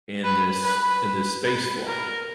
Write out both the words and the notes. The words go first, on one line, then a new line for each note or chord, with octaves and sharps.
in this in this spaceflight
B4
B4
B4
A#4